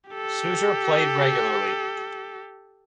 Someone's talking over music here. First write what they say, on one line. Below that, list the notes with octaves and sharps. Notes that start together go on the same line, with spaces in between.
Suter played regularly.
G4 A4